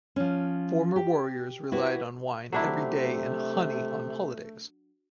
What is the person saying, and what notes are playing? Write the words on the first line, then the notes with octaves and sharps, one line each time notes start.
Former warriors relied on wine every day and honey on holidays.
F3 C#4
G4
E4 F#4 G4 B4
C3 F#3 A3 D4 E4